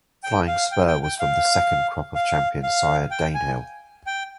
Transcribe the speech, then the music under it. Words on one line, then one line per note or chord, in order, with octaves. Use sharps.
Flying Spur was from the second crop of champion sire Danehill.
G5
F5
G5
G5
G5
F5
F5
F5
G5
G#5
G5